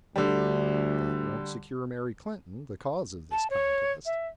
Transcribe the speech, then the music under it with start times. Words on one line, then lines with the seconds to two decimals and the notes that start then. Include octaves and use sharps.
"That won't secure Mary Clinton, the cause of this contest."
0.16 D2 D3 G3
3.31 A5
3.50 C#5
4.06 E5